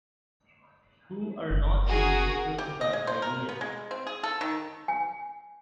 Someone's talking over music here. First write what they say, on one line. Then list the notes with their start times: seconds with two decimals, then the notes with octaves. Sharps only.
Who are not to be disturbed by ideas.
1.51 F#1
1.86 F#4 G#4 A#4
2.58 G4
2.81 D#5
2.93 G#3
3.07 C5
3.22 A#4
3.49 B3
3.61 G#3
3.91 C4
4.07 G#4
4.23 A4
4.41 D#3
4.88 G#5